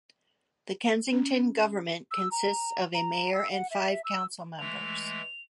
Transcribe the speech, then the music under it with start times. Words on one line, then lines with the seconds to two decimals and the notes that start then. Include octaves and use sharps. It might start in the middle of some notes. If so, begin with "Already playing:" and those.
The Kensington government consists of a mayor and five council members.
1.12 C#4
2.11 E6
2.32 A#5
2.94 A#5
3.34 E6
3.52 F#5
3.71 E5
4.04 E6
4.59 E3 G#3 A3 F7